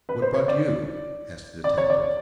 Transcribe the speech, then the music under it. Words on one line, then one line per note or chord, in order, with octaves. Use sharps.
"What brought you?" asked the detective.
B4
C5
C#5
D5
D5
C#5
D5